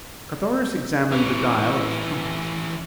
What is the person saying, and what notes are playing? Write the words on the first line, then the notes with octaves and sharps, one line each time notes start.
Carthoris examined the dial of his compass.
E3 C#4